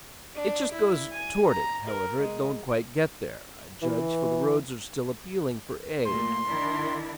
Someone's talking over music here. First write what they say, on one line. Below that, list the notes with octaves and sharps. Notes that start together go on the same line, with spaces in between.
It just goes toward it, however; it don't quite get there, I judge, for the roads are still appealing for aid.
D4
E4
G#5
A#5
A#4
G#3
E3
A#2 A3 A#3 C6
D#3 D4 E4